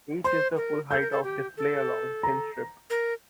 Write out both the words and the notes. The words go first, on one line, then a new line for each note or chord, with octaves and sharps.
Each is the full height of the display-a long, thin strip.
C5 C6
A#4
A4 G6
A#4
A4
G4
A4
A#5
A#4